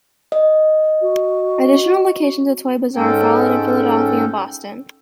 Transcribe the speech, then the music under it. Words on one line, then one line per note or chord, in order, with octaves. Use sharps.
Additional locations of "Toy Bazaar" followed in Philadelphia and Boston.
D#5
F#4
G#2 G#3 C#4 A4 G5